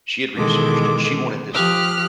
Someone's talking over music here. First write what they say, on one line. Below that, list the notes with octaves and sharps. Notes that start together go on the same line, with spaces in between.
she had researched, and she wanted this
B2 D#3 E3 G#3 A4 D6
F3 G4 D#6 F6 F#6